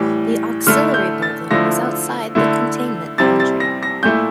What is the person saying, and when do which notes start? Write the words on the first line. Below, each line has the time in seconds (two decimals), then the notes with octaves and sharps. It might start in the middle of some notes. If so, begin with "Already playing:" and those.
The auxiliary building was outside the containment boundary.
Already playing: A2 E3 G3
0.67 D3 A3 E4 F6
0.94 G6
1.22 A6
1.51 D3 F3 A3 E4 A#6
2.35 D3 A3 E4
3.18 C3 G3 C4 E4 A6
3.40 A6
3.60 A#6
3.83 A#6
4.03 A#2 A3 E4 G6